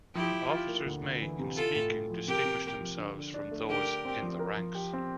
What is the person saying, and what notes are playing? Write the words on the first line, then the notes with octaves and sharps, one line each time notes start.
Officers may, in speaking, distinguish themselves from those "in the ranks".
F3 E4 G4
F3
F4
A#3
D2
D2
E3
C3
E4 F4 A4
A2
A3
F3
C3 G4 A#4
C3
A#3
F3
D3
D3
D4
A3
D3 G4 A#4
D3
C4
F3
A#4
F3
G4
C4